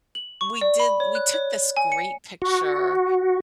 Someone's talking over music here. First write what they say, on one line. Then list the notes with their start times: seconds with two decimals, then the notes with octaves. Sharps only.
we did we took this great picture
0.15 F#7
0.41 C#6
0.61 D5
0.79 B5
1.00 C#5
1.15 F#6
1.34 C#5
1.77 G#5
1.92 C#7
2.42 F#4